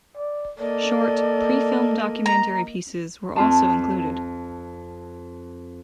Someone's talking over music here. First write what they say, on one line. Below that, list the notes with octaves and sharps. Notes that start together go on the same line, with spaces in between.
Short, pre-filmed documentary pieces were also included.
D5
A#3 A4 D5 D#5
A#5
F2 F4 A5